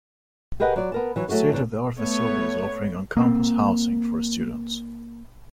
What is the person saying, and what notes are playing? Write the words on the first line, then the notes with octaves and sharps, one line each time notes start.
State of the art facilities offering on-campus housing for students.
G4 G#4 A#4 B4 D#5 F#5
F#3 D5
B3 A#4 A5
E3 F#3
F#3 A3 F#4 G#4 C#5
E2 C#3 D4
A3 B3 C#5
A#3 C4